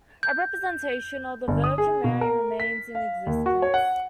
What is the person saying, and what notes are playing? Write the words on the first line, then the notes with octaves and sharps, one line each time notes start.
A representation of the Virgin Mary remains in existence.
G6
G1
D#6
G#4
B2
A#4
B6
F5
D#2
F#4
C#5
F#5